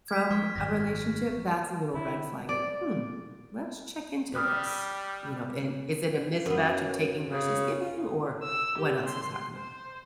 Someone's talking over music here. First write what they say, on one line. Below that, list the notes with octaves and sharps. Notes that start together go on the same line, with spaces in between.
from a relationship, that's a little red flagging, "Hmm, let's check into this," you know, and is it a mismatch of taking versus giving, or what else is happening?
G#6 B6
F3 C#6 F6
G#1 F#2 A#6
D3 E4
D5
G3 B4 D#6 F6
F#2 B3
C#3
E6
G4
C6
C5